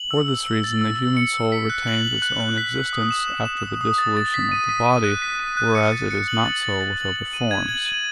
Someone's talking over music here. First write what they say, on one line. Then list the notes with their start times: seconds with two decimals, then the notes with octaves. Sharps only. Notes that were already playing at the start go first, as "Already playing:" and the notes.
For this reason the human soul retains its own existence after the dissolution of the body; whereas it is not so with other forms.
Already playing: F#7
0.11 E6
0.28 E6
0.46 E6
0.64 A6
0.81 E6
0.99 E6
1.17 C#7
1.34 E6
1.52 B6
1.70 F#6
1.87 F#7
2.04 F#7
2.22 F#6
2.40 F#6
2.58 B6
2.75 F#6
2.93 D#6
3.11 E7
3.28 E7
3.45 E7
3.63 D#6
3.81 D#6
3.98 A6
4.17 A6
4.34 B6
4.51 D#7
4.69 B6
4.86 D#7
5.04 F#6
5.22 B6
5.40 D#7
5.57 F#6
5.75 C#7
5.92 A6
6.11 C#7
6.28 F#7
6.45 A6
6.63 A6
6.81 A6
6.98 F#7
7.16 F#7
7.33 D#7
7.51 G#6
7.69 F#7
7.86 D#7